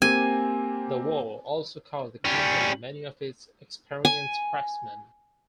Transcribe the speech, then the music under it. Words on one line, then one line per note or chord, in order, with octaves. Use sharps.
The war also cost the company many of its experienced craftsmen.
A#3 C4 G4 G#5
G3 C#4
G#5